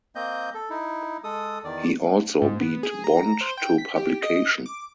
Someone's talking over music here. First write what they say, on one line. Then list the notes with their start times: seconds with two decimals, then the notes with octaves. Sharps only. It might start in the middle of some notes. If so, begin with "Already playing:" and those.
He also beat Bond to publication.
0.15 A#3 C4 D#5 G6
0.54 A4
0.70 D#4 E4
1.24 G#3 A4 D#6
1.64 E2 D#3 D5
2.42 G#2
2.61 B3
2.83 G#4
3.04 A#5
3.41 C5
3.57 G5
3.78 B6
3.96 G4
4.23 D#5
4.66 D6